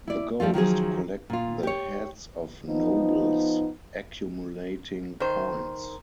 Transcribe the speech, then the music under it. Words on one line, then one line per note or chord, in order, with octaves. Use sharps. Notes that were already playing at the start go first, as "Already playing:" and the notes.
The goal is to collect the heads of Nobles, accumulating points.
E4 D5
F3 G3 A3 F4
D#3 F3 F#3 G#4
A#2 F4
G4 C#5
F3 B3 D#4
D#3 C5